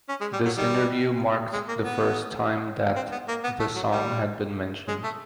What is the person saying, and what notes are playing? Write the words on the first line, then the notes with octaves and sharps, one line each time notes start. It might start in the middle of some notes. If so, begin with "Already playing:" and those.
This interview marked the first time that the song had been mentioned.
C#4
G#3
G3
F#3
D#3 G3
G#3
A#3
B3
C4
B3
A#3
B3
A3
F#3
D#3 G3
G#3
A3